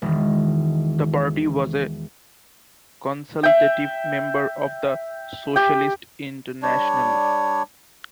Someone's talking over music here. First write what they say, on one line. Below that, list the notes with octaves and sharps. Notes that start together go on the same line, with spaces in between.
The party was a consultative member of the Socialist International.
E1 D#3
E5 G5
G4 G5
G3 D4 C#5